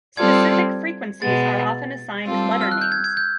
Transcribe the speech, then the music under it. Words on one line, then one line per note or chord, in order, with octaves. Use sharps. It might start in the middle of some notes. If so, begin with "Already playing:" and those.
Specific frequencies are often assigned letter names.
G3 C4 F4 A4 D5 G#6
B2 G#3 B3 A6
G3 C4 F4 A4
E6
F6
F#6
G6
G#6
G#6
G6